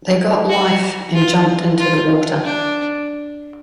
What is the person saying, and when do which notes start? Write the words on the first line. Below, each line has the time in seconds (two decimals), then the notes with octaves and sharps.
They got life and jumped into the water.
0.49 F#4
1.14 F4
1.79 F4
2.44 D4